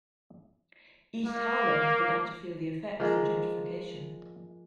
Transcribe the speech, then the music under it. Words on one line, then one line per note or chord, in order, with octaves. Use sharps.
East Harlem has begun to feel the effects of gentrification.
A#3
F3 G#3 A#3